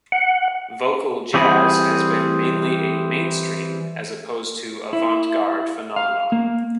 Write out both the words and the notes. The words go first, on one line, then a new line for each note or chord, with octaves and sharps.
Vocal jazz has been mainly a mainstream, as opposed to "avant-garde," phenomenon.
F#5
E3 G3 C4 G#4 B5
E4
F5
A#3